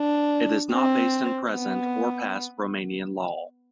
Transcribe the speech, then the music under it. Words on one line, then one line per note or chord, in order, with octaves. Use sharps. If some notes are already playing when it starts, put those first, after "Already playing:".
It is not based in present or past Romanian law.
Already playing: D4
C4
B3